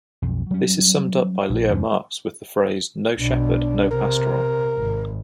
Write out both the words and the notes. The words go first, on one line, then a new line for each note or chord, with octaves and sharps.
This is summed up by Leo Marx with the phrase No shepherd, no pastoral.
B1 F2
F#3 G3 C#4
A#1
E2 G2 C3 C#4
B1 B2 D4
C3 A#4
G#1